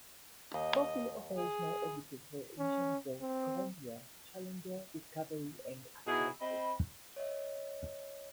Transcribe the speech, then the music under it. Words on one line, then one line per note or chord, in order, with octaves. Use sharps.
Four fully operational orbiters were initially built: "Columbia", "Challenger", "Discovery", and "Atlantis".
D#2 D#5
G#4
C#4
C4
B2 D#4 E4 F#4 G#4
C4 D#5 B5
C#5 D#5 E5